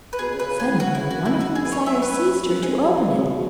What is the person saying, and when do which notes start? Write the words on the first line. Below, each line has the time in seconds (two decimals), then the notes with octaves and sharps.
Suddenly a wonderful desire seized her to open it.
0.13 B4
0.19 B2 G#4
0.29 B2
0.35 C#3 B4
0.50 C#3
0.60 G#4
0.65 E3
0.80 C#3 F#4
0.95 E4
1.10 F#2 F#4
1.26 E4
1.41 F#4
1.55 G#4
1.65 B4
1.72 C#5
1.86 E5
2.02 B4
2.44 E2
2.53 F#2
2.63 G#2 G#4
2.78 F#3
2.92 E3
3.08 C#3
3.18 C#3
3.23 B2